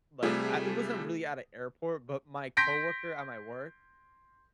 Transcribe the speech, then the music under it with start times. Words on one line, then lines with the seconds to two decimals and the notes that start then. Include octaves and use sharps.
like I it wasn't really at a airport, but my coworker at my work
0.23 C3 G3 A3 F4 G#4
2.57 C6 G6 A#6 B6 D7